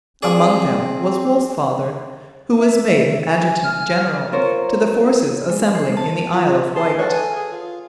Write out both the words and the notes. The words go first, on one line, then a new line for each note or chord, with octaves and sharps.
Among them was Wolfe's father, who was made adjutant-general to the forces assembling in the Isle of Wight.
C4 G#4 D5
E5
G#5
F6
C4 F4 A#4 C5 C#5
G#3
C5
A5
F4
G#4 A5 C6
F#4 A4 B4 C#5 D#5 F#5 G5 F#6
G#5
G#4
F4